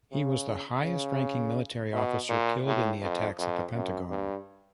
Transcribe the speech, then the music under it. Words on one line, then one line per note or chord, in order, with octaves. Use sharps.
He was the highest-ranking military officer killed in the attacks at the Pentagon.
C#3
C#3
B2
A#2
A2
F2
F2
F#2
G2